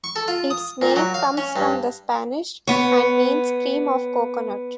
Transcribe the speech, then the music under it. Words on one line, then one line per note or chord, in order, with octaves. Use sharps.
Its name comes from the Spanish, and means "cream of coconut".
C#6
A4
F4
D#6
A#2
F#3
F5
C#4
G2
B3 C#5